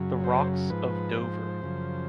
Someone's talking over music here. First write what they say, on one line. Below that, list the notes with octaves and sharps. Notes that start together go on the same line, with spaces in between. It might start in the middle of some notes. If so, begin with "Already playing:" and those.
The rocks of Dover.
Already playing: F#2 C#3 F#3
C5
G#2 F3 B4
C5
F#2 C#3 F3